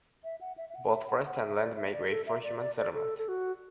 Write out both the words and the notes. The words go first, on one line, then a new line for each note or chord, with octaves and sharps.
Both forests and land make way for human settlement.
E5
F#5
E5
E5
F#5
E5
F#5
F#5
E5
D5
E5
D5
A4
E5
D5
D5
D5
A4
A4
F#4